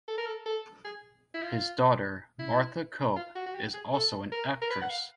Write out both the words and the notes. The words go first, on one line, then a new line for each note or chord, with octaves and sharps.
His daughter Martha Cope is also an actress.
A4
A#4
A4
A4
G#4
E4
F4
E4
F4
F#4
F#4
G4
G#4
A4
A#4
A#4
B4
F#5
F5